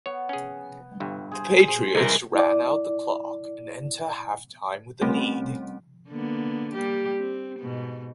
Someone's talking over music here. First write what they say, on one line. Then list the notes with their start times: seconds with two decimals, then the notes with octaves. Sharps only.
The Patriots ran out the clock and entered half time with the lead.
0.06 B3 C#5
0.29 C#4 G#4
1.00 G1 G2
1.31 G#4 C5
1.68 G#4 C5
1.95 C2 E3 G#3 A#4
2.35 E4 D5
5.01 G3 A3 C4 C#4
6.08 D3 A#3 B3
6.73 G3 A#3 G4
7.19 C4
7.59 G#2 B2